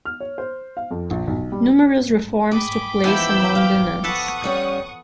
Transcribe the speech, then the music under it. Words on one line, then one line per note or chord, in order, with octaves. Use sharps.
Numerous reforms took place among the nuns.
F6
C#5
C5
F5
F2
A#1
B1
G3
G#4 G5 B5 D6
E3 F3 B3 D#4 E4 B5 E6 G6
F5
A4 B4 F#5 A5 C#6 D#6
G3 C#4